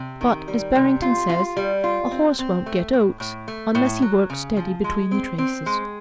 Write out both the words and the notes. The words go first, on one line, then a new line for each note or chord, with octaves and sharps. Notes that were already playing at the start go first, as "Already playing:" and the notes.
But, as Barrington says, a horse won't get oats unless he works steady between the traces.
Already playing: C3
D#3
G3
C3
F4
F4
G3
F4
C4
C4
A3
A2
A2
A3
A2
F#3
C#3
F3
G#3
C4
C4
G#3